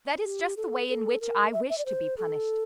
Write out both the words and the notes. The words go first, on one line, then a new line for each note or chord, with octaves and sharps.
That is just the way in which I wish to be punished.
G4
A4
A4
A#4
E5
E5
D5
C5
A4